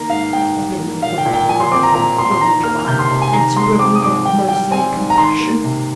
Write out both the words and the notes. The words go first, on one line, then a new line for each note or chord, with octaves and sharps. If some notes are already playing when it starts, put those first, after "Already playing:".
Is there no way to rob them of further triumph, and spurn their mercy and compassion?
Already playing: D#3 A#3 A#5
G#2 F5
G#2 G5
G3
A#3
A#2 F5
G5
A#2
G5
F3 G#5
C6
C4 D6
A#5
A#2 A#5
A#2 C6
C6
D#3 A#5
A#3 F6
F6
C3 G6
C6
C3
G#5
D#3 A#5
G#3 C6
C4 D6
D#6
G#2 D6
D#3 G5
G3 G5
C4 G#5
G#2
A#5
D#3 C6
A#3
C3